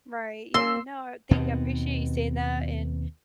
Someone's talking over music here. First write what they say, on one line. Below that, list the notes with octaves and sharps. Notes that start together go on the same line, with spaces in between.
Right, yeah, no, thank you, I appreciate you saying that, and,
A#3 C6 E6
D#2 B2 B3 C4